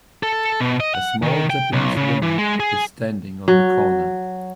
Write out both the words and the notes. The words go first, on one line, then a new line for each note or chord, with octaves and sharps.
A small Japanese woman is standing on the corner.
A4
B2
D#5
F#5
D#3
G5
B1
C#3
E3
G#3
G#4
F#3